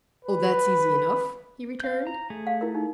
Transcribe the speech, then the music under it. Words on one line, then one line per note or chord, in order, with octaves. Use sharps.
"Oh! that's easy enough," he returned.
B4
F5 G6
A#5
A3 G#4
F5
E4 A#4
D#4